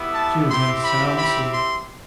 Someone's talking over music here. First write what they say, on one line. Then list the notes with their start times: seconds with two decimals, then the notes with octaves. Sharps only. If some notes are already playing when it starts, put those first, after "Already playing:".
She was in a sound sleep.
Already playing: B3 E4 G4
0.14 A5
0.49 C4 E4 G4 C6
0.83 B5
1.18 B5
1.53 C6